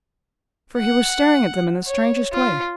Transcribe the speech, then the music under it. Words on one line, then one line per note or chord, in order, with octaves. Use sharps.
For, he was staring at them in the strangest way.
F#5
C#5
F4